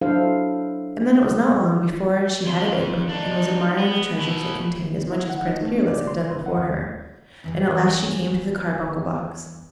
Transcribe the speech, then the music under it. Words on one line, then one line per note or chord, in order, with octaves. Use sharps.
And then it was not long before she had it open, and was admiring the treasures it contained as much as Prince Peerless had done before her, and at last she came to the carbuncle box.
F#3 D4 E4 A4 C5 F5
F2 C6
D4 D#4
B3
B2 E4
E4
F#5
D#4
A3
D4
D5
C6
B4
F#5
D#2
E2 G2 E3